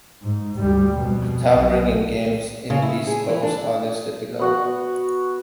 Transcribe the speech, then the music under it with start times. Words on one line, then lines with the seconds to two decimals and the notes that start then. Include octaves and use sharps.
The top-ranking games in these polls are listed below.
0.22 G#2
0.58 D2 G3
0.97 F2 B2
1.53 B1
2.70 C#3
2.82 E4
3.07 G#4
3.29 E3
3.43 D4
4.39 B3 F#4 F#5